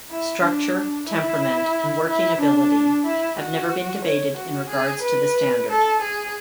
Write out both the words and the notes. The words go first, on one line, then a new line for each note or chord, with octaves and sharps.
Structure, temperament and working ability have never been debated in regards to the standard.
E4
D4
E4
E4
D4
E4
F#4
C#5
F#4
G#4
B4
A4
G#4